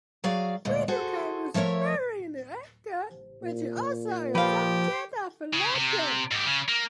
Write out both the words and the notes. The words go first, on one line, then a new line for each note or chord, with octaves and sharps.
Widukind was buried in Enger, which is also a subject of a legend.
F#3 F#4 G#4 D5 F5
D2 A#2 G#3
F#4 G#4 A4 C5
F3 A3 A#4 C#5 E5
A#2
F3 G4 B4 F5
C#3
C3
G#2 G4
C#3
A#3